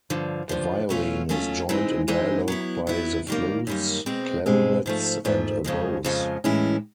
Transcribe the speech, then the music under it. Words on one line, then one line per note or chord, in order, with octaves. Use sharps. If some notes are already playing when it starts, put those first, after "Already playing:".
The violin is joined in dialogue by the flutes, clarinets and oboes.
G2 D3 F3
G2 D3 F3
B2 F#3 A3 C#4 F4
B2 F#3 A3 C#4 F4
E3 G#3 C4 D#4
E3 G#3 C4 D#4
F#3 B3 E4
F#3 B3 E4
F#2 D#3 G3 A#3
F#2 D#3 G3 A#3
B2 G#3 C4
B2 G#3 C4
G#2 F3 A3
G#2 F3 A3
F2 C#3 F3 G#3
F2 C#3 F3 G#3
A2 E3 G#3 C#4 E4